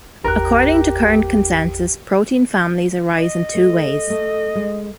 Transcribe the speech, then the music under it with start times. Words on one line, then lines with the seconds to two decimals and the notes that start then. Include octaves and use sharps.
According to current consensus, protein families arise in two ways.
0.24 G#1 E2 G4 A#4 F#6
3.19 D#5
3.55 A3
4.10 A3
4.55 G#3